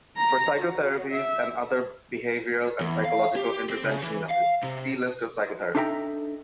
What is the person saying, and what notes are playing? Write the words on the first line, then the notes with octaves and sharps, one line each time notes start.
For psychotherapies and other behavioral and psychological intervention methods, see list of psychotherapies.
A#5
F#4
E5
E2
F5
G4
C4
C#3
E3
F5
C3
D4 D#4 A4 E5 G5 A#5